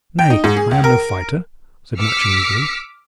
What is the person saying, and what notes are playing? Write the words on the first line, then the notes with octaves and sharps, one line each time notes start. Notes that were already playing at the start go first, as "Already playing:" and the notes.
"Nay, I am no fighter," said Matcham, eagerly.
G5
D#4
G#2
G#4
C#2
A#4
D6 E6 F6 B6 C#7